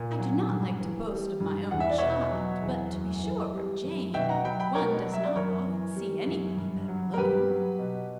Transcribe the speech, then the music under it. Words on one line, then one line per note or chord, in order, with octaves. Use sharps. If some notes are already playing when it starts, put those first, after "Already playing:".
I do not like to boast of my own child, but to be sure, Jane--one does not often see anybody better looking.
Already playing: A#2
F#3
G2
E3
G3
G2
E2 F#5
E5
D5
B2 C#5 E5
F#3
E2
F#2
E3
G3
F#2
B2 E5 G5
F#5 A#5
F#3 G5 B5
G5 B5
B2 A#4 C#5
F#3
E5
D5
F#2 A#4 C#5
E3
G3
F#2
G2
F#3
A#4
G2 G4 B4
F#3
B2